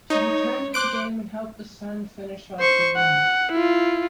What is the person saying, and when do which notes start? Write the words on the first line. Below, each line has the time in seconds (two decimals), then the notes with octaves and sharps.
She returned to the game and helped the Sun finish off the win.
0.10 D#4 C#5
0.74 C5 D6 F#6 D7
2.60 C5 C#6
2.96 F#5
3.52 E4 F4